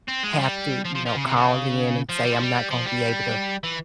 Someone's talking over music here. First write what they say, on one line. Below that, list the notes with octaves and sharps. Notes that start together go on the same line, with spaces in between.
have to, you know, call in and say, "I'm not gonna be able to,
C4
G#3
F3
G3
F3
F3
F3
C#3
C3
C#3
F3
G3
F3
G3
F3
G3
E3